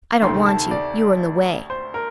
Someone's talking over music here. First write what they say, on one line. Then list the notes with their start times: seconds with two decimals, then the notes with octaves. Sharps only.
"I don't want you, you are in the way."
0.22 D2 C3 D#3 A3 C6
0.46 A5
0.71 D5
1.70 C5
1.94 A#4